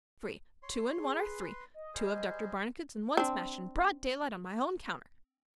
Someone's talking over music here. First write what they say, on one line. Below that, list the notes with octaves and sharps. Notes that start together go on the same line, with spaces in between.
Three--two and one are three--two of Dr. Barnicot's, and one smashed in broad daylight on my own counter.
C#5 C6
G#4
B4 C6
D#5
G3 G#4 C5
C4 D4